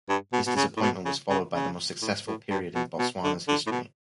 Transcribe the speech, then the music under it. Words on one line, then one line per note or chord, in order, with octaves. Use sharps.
This disappointment was followed by the most successful period in Botswana's history.
G2
B2
B2
C#3
A2
B2
C#3
C#3
C#3
A2
A2
G2
B2
B2
D3
D3
A2
B2